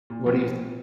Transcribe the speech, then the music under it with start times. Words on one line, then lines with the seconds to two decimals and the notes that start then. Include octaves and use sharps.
what are you th
0.10 A#2
0.26 A#1